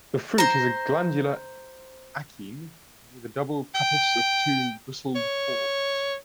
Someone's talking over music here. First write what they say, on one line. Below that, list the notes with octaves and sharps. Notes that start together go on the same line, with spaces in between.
The fruit is a glandular achene with a double pappus of two bristled whorls.
C5 A#5
G5
C#5